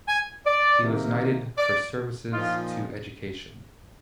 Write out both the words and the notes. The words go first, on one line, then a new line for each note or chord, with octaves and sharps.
He was knighted for services to education.
G#5
D5
C3 D#3 A#3
D5
A#2 F3 A#3 D#4 F4